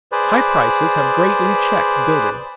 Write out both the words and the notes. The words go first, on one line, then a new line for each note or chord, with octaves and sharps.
High prices have greatly checked building.
G#4 B4 C5 D5